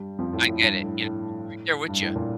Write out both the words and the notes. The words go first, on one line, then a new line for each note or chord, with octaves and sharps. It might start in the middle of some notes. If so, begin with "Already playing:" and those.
I get it, you know? I'm right there with ya,
Already playing: G2 G3
F2 F3
A2
A2
G2
A2
A2
G2
A2
A#2